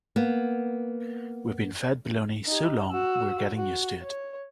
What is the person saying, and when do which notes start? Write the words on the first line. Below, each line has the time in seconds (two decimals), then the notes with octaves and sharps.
We've been fed baloney so long we're getting used to it.
0.16 A#3 B3
2.47 D#4 G4
2.91 F#4 E6
3.55 F#4
4.03 C#5